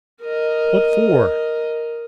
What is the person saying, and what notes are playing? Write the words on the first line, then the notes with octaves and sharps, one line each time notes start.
What for?
A#4 D#5